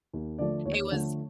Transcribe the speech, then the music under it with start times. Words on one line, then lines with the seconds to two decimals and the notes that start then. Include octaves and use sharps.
it was
0.13 D#2
0.39 D3 F3 A3 D5
0.65 D#2 C#5
0.92 D3 F3 A3